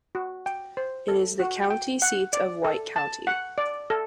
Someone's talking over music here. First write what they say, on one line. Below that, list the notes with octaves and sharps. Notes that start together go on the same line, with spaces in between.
It is the county seat of White County.
F#4
G5
C5
A4
F#4
G5
F#5
D5
A4
A5
F#5
D5
A4